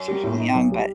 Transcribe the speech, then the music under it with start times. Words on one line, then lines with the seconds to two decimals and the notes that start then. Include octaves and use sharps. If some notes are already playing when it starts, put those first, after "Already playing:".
she was really young, but,
Already playing: F#2
0.08 G3
0.24 A2
0.40 D#4
0.55 B1
0.72 G3